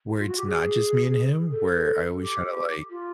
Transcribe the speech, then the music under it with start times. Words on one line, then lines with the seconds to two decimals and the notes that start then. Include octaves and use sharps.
where it's not just me and him, where I always try to like.
0.19 F4
0.28 F#4
0.37 G4
0.46 G#4
1.51 A4
2.21 G4
2.90 F4